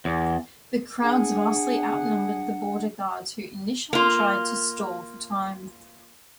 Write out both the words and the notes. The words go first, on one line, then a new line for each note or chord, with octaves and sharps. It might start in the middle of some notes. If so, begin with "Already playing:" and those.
The crowds vastly outnumbered the border guards who initially tried to stall for time.
E2
D4 G#4 F#5
A#3 F4